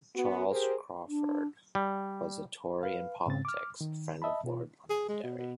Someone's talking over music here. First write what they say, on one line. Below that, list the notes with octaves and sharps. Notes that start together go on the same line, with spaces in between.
Charles Craufurd was a Tory in politics, friend of Lord Londonderry.
B3 F#4
G4 G#4 A#4 C5
D4
G3
B4 F5
G#2 C#3 C4 A6
D6 F6
D#3
D#5 E5 A5 B5
B2 F4
G#4
G#3
B2
B2